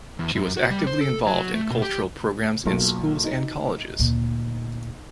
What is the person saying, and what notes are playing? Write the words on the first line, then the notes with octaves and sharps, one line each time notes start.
She was actively involved in cultural programmes in Schools and Colleges.
E2
F#2
F#4
G3
C5
A4
F#3
A3
B2
G4
B1 A#3 F4
D#4
D2 A#2